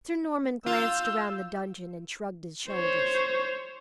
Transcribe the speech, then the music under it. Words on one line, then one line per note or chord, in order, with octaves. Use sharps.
Sir Norman glanced round the dungeon and shrugged his shoulders.
F4 E6 G6
C5 C#5